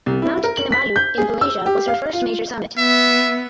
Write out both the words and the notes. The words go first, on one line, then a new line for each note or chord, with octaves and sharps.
Mount Kinabalu in Malaysia was her first major summit.
C2
E4
A#4
F#7
B6
G6
G#4
E6
G4
F5
F4
B3 E5